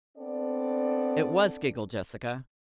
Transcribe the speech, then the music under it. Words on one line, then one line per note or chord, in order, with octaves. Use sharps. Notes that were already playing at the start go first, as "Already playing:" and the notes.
"It was," giggled Jessica.
B3 C4 D4 A4 D5